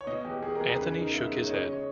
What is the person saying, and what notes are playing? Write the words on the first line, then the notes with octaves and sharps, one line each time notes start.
Anthony shook his head.
C#5
B2 D#5
E2 G4
E2 G#4
A#4
E2 G#4
A#4
C#3 B4
G#4
D#4
A#4
B3 E5
G#3
C#5
C#3 D#5
C#5
D#5
C#3
C#5